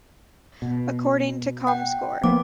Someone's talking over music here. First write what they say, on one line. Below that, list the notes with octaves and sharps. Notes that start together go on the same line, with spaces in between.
According to comScore.
B2
F#5 G5
F3 A#3 B3 D6